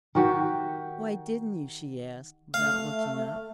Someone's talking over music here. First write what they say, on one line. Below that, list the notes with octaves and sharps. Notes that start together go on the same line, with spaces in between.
"Why didn't you?" she asked, without looking up.
D#3 F#4 G4
A3 F5